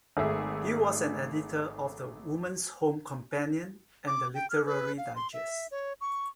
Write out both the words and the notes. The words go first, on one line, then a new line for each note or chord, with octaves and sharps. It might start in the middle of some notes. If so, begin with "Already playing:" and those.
He was an editor of the "Woman's Home Companion" and the "Literary Digest".
G#1 A3 G#4 E5
D6
G5
F6
B4
F5
C6
E5
C#5
C#6